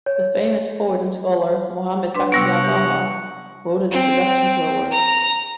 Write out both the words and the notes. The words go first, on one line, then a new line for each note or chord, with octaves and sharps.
The famous poet and scholar Mohammad Taqi Bahar wrote an introduction to her work.
C#5
D4 B4 C6
C3 G3 B3 C#5 F#5
G4
C4
A#5